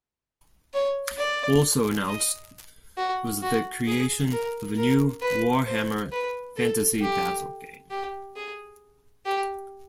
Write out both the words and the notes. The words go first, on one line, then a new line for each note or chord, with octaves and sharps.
Also announced was the creation of a new "Warhammer Fantasy Battle" game.
C#5
D5
D#5
F#4
F#4
G#4
A#4
A#4
B4
C5
B4
A4
G4
G4
G#4
G4